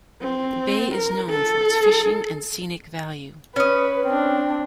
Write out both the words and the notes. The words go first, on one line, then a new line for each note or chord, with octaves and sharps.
The bay is known for its fishing and scenic value.
C4
A#4
A4
C#4 B4 D#5
C4 D4